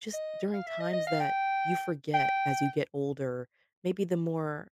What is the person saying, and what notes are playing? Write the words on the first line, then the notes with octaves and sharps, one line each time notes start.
just during times that you forget as you get older, maybe the more,
D#5
F5
E5
D#5
D#5
F5
G5
G5